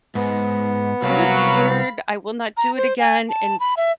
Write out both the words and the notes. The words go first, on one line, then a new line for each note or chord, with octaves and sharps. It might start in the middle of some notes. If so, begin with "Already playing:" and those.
I was scared; I will not do it again, and
G#2 B3
C2 F#3 F5 B5
A#5
C5
G#5
A5
B5
E5